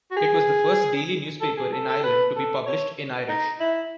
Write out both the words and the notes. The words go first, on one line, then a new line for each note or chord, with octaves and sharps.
It was the first daily newspaper in Ireland to be published in Irish.
F#4
G#4
A4
G#4
A4
A4
B4
A4
C#5
D#4
E4